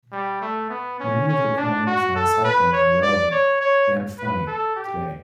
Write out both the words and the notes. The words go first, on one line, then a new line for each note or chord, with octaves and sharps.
Many of the comments on cycling are relevant-and funny-today.
G3
A3
B3
C#4
C#4
D4
F#4
A4
B4
C#5
D5
C#5
C#5
B4
A4
G4